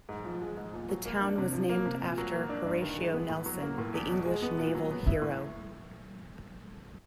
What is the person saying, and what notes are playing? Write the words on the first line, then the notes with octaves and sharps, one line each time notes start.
The town was named after Horatio Nelson, the English naval hero.
G#2
F3
G#3
G#2
A#2
F#3
A#3
D4
C3
F3
A#3
C3
A#2
F#3
A#3
D4
G2
D#3
G#3
B3
A2
F#3
A#3
A2
E2
B2
G#3
B3
A#2
F#3
B3
E4
A2